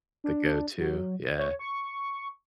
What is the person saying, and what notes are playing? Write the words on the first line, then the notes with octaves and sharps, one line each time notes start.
The go-to. Yeah.
D4
F#3
C#5
C#6